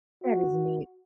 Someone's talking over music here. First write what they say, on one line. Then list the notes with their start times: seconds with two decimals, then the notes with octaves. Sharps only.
That is neat.
0.24 F#4